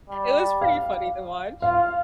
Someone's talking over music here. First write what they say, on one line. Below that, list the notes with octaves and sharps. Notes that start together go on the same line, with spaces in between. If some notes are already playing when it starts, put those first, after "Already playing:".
Iit was pretty funny to watch.
G3
F5
F4 F5